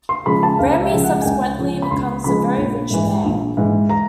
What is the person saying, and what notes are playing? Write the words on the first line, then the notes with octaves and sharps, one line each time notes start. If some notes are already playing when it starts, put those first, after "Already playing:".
Ramey subsequently becomes a very rich man.
C6
C#3 F3 G#3 B5
A5
C#2 F5
E5
C#3 F3 G#3
F#5
G#5
C#2 G5
C#3 F3 G#3
B5
C#2 C6
C#3 F3 G#3 B5
A#1
G#2 E3
A#1
G#2 E3
A#5